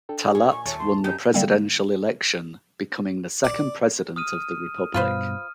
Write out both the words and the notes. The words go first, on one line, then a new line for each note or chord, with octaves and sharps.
Talat won the presidential election, becoming the second President of the republic.
D4 A4 G5
A#2 G#5
C#6
D#2 A3 C#5 C#6 A6
C6
F#2 D#4 G4 D#5 G6
D3 G3 A#3 C4
D5
D#6 F6 D#7
G2 B2 F4 B4 C5 F6